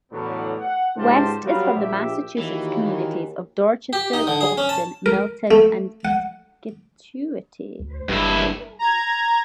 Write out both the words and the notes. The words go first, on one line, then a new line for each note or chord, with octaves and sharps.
West is from the Massachusetts communities of Dorchester, Boston, Milton and Scituate.
E2 A2 D3 F#3 G3 B3
F#5
C#2 G#2 F3 G4 C5 A5
F#3 G3 B3 F4 F#4 A#4
A#1 G4 E5
D#2 E3 A#3 F#4 G4
G4
D#4
D3
G#4
C#4
A5
A#4
A3
F#5
D2
G1 G2 E4
A#5 G#6